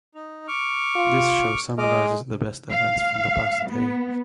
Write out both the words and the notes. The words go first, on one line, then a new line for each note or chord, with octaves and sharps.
This show summarizes the best events from the past day.
D#4
C#6 D6 F6
F4
G#3 D#5 D6 F6
F5
B3